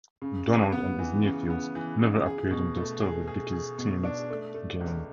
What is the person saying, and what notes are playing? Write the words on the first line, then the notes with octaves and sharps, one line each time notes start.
Donald and his nephews never appeared in those stories with Dickie's teen gang.
C#3
C#3
B3
E3
C#3
B3
E3
C#3
G#4
B2
A3
G#4
G#4
G#4
B2
D4
A3
A3
C#2